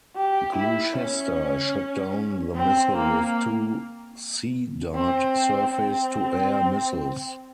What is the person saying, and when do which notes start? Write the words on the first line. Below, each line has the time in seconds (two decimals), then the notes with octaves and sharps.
"Gloucester" shot down the missile with two Sea Dart surface-to-air missiles.
0.16 G4
0.56 E4
0.97 C#4
2.56 C4
2.96 A#3
4.95 C4
5.75 C4